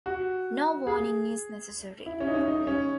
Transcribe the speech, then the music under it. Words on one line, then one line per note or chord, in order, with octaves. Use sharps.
No warning is necessary.
F#4
G#4
E4
C#4
D#4
C#4
D#4
C#4